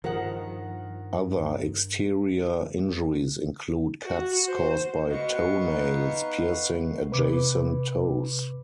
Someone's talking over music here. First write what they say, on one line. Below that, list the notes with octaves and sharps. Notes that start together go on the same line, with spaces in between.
Other exterior injuries include cuts caused by toenails piercing adjacent toes.
G2 D#3 F3 A#4 F#5
F#4
C5
B3 F#4 B4 D#5 F5 F#5 C#6
D#4
C3 B4 D6